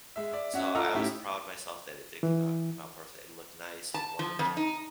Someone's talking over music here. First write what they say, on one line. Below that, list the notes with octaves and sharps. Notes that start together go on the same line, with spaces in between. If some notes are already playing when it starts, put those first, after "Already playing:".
So, I was proud of myself that it did came out came out perfect. It looked nice, it worked.
G#3 E5
D5 E5
C#4 F#4 E5
F4 A4 D#5 A#5 E6 F6
A2 C#4 D#4 E4 G4
E3
A5
F3
F2
D#4